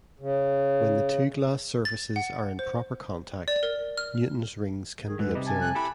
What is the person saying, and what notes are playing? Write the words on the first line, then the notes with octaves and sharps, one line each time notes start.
When the two glass surfaces are in proper contact Newton's rings can be observed.
C#3
A6
F#5
C5
D5
A#4
F6
D#3 G#4
D2 G#2 D3 B4
C3 G3 D#5
G#5 A5
F#6
E4 G4 A4 B5